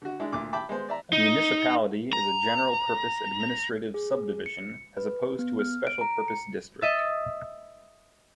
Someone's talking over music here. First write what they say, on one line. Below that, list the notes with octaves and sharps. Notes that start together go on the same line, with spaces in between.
A municipality is a general-purpose administrative subdivision, as opposed to a special-purpose district.
D3 F#4
G#3 D4 E4
D2 A#2 D6
E5 G5 A5 B5 D6
G#3 B3 C5
D5 E5 A#5
D#4
A#5
G#4
C#7
B4
B3
F6
D7
A#5
C#7
D#5 E5 A6